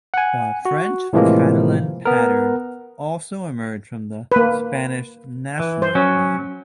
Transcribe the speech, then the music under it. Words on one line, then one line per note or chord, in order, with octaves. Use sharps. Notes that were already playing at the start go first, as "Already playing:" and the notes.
The French Catalan pattern also emerged from the Spanish National pattern.
F#5 G#5
F#4
A2 C3 E3 F3 G#3 A#3
B3 A#4
A#3 B4
E3
C5
F#3 C#4